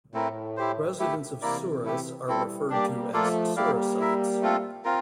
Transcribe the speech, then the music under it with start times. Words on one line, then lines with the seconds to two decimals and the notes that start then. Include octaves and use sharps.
Residents of Souris are referred to as Sourisites.
0.13 A2 A3 C4 E4 A#4
0.57 E4 G4 C5
0.99 A3 E4 G4
1.42 C3 E3 A#3 E4 A#4 D5
1.85 A3 E4 G4
2.27 E3 G3 C4 E4 A4
2.70 G3 A#3 D4 G4 D5
3.13 F3 A3 A#3 F4 A4 D5
3.56 G3 A#3 E4 G4 D5 F5
3.99 E4 A#4 E5
4.41 A3 C4 F4 A4
4.84 C4 F4 A#4